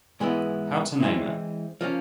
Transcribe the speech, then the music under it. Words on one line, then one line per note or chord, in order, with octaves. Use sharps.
How to Name It?
G#2 E3 G#3 B3 E4
E3 G#3 C4 E4
F3 A#3 C#4